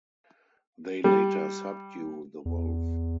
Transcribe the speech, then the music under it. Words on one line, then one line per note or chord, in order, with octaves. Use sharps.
They later subdue The Wolf.
G3
E2